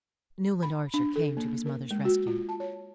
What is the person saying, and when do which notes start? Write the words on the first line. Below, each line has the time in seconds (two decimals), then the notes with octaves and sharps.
Newland Archer came to his mother's rescue.
0.63 B5
0.94 D4
1.16 A4
1.37 A#3
1.66 A#4
1.91 G#3
2.05 F#4
2.27 F4
2.49 A5
2.60 C#5